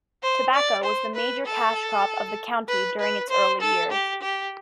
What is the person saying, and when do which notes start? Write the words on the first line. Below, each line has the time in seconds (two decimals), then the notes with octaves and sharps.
Tobacco was the major cash crop of the county during its early years.
0.23 C5
0.54 D5
0.83 C5
1.15 B4
1.46 A4
2.68 B4
3.00 B4
3.29 C5
3.61 A4
3.91 G4
4.22 G4